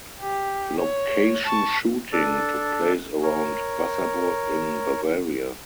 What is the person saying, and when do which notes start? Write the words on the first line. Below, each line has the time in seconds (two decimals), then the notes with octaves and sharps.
Location shooting took place around Wasserburg in Bavaria.
0.22 G4
0.79 C#5
1.46 A5 C#6
2.13 D4 A4
3.22 A#4 C#5